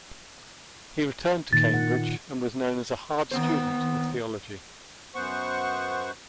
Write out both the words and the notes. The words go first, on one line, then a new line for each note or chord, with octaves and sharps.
He returned to Cambridge, and was known as a 'hard student' of theology.
A#2 D#3 A6
F#5
D#2 B3 C4 C5
F#2 B3 C5 F#5 C#6